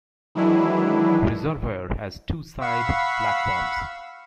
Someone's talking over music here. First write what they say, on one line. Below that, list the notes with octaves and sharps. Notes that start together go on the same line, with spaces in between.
Reservoir has two side platforms.
D#3 E3 F#3 G#3 D4 E4
F5 F#5 B5 C#6 E6